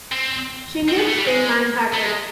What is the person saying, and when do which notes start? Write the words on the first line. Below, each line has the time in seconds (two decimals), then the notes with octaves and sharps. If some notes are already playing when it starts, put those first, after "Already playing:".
She lives in Manhattan.
0.12 C4
0.88 C4
0.98 B3
1.08 A3
1.17 G3
1.27 G#3
1.94 A3
2.03 G#3